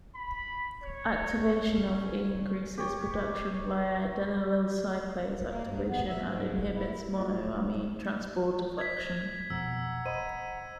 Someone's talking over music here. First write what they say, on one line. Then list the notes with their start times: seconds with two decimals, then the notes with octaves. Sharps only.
Activation of increases production via adenylyl cyclase activation and inhibits monoamine transporter function.
0.15 B5
0.82 C#5
1.72 C#4
2.78 G4 C#5
5.48 A#3
5.63 G2
5.87 B3
6.08 E5
6.25 G#2
6.75 E4
7.18 F3 F#4 D5
8.79 C5 G#6 B6
9.50 F2 B2 F#5 A#5 E6
10.06 C5 D#5 B5 D#7